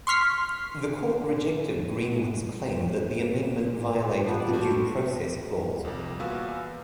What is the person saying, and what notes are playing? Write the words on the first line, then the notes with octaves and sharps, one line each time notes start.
The Court rejected Greenwood's claim that the amendment violated the Due Process Clause.
C6 C#6 F6 B6 C7
F3 G3 B3
F3 D5
A3 F4 F#4
C2 F2
E2 A#2 F#4 B4 F5 E6